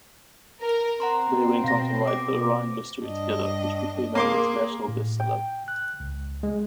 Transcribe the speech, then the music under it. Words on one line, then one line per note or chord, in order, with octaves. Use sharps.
They went on to write "The Orion Mystery" together, which became an international bestseller.
A#4
C4 F#5 A#5 C6
B2 F5 A#6
D6
G2 D4 D#5
A#3 G#4 C6 D6
A2
G5
F#6
C#2
G#3